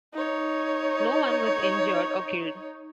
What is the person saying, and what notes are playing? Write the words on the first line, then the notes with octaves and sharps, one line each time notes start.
No one was injured or killed.
D#4 C#5